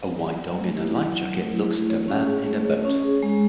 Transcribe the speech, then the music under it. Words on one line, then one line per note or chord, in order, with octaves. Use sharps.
A white dog in a life jacket looks at a man in a boat.
F#3
F#3
A3
E4
F#3
F#3
A3
E4
A3
C#5
C#4
G#4
A3
C#5
C#4
G#4
G#3